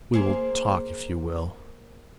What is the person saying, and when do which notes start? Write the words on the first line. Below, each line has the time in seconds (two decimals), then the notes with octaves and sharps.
"We will talk, if you will."
0.14 A#3 G#4 C5